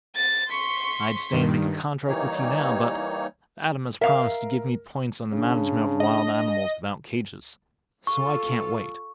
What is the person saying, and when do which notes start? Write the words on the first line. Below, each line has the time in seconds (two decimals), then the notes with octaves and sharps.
I'd stay and make a contract with you now, but Adam has promised to give me points on the management of wild animals without cages, so I can't wait.
0.16 A6
0.49 C6 C#6 B6
1.32 G2 D#3
2.07 E3 G3 A#3 D#4 C#5
4.01 A#4 E5 F5
5.32 C#3 D4
6.00 D#5
8.07 F4 A4 C#6